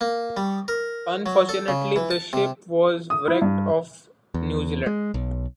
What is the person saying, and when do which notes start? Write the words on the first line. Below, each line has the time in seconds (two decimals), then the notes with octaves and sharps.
Unfortunately the ship was wrecked off New Zealand.
0.01 A#3
0.37 G3
0.68 A#4
1.26 F#3
1.49 A4
1.68 C#3
1.96 E3
2.11 A5
2.33 C3
3.10 D#6
3.28 E4
3.42 G2
4.34 E2
4.86 G#3
5.14 B1